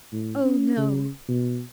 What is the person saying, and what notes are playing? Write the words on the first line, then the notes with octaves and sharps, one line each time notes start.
"Oh, no!"
A2
C#4
C#3
B2